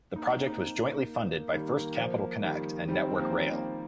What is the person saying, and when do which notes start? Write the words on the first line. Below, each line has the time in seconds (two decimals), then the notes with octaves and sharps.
The project was jointly funded by First Capital Connect and Network Rail.
0.16 A#3 D#4
0.46 A#3 C4 D#4
0.77 A#3
1.52 D#3 G3
1.97 F3
2.43 D#3 G3
2.88 D#3 G3 C4
3.18 F3 A#3
3.49 F3 A#3